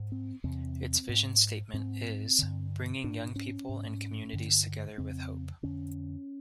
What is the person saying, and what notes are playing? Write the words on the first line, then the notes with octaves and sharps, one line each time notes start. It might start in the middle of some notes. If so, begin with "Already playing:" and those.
Its vision statement is "Bringing young people and communities together with hope".
Already playing: G#2
C4
E2 C3 C4
G#2
G#2 C4
G2 D3
G#2 D4
C#4
G#2
G2 D3
F2 C#3 C4
F2 D3 C#4